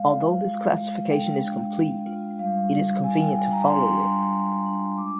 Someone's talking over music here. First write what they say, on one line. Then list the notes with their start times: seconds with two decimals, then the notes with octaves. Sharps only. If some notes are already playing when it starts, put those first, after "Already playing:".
Although this classification is complete, it is convenient to follow it.
Already playing: G#3 F5
0.13 F4
0.45 G#3
0.78 G#3
1.10 G#3 G5
1.42 D4
1.75 D4
2.06 F4
2.39 G3 F5
2.71 G3
3.04 G3 G#5
3.20 G5
3.36 F4 G#5
3.52 A#5
3.68 D4 C6
4.00 G3
4.32 F4
4.66 D4
4.98 G#3 D6